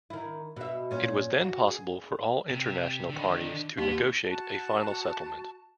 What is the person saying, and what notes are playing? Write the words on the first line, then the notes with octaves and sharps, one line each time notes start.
It was then possible for all international parties to negotiate a final settlement.
D#3 E4
B2 E5
A#2 C#4
F#4
G#4
C3
D3 D#3
D#2 B3
F#4 A5